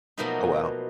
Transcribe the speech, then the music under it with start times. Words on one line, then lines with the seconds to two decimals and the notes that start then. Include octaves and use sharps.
Oh, wow,
0.18 B2 F3 F#3 A3 A#3 D#4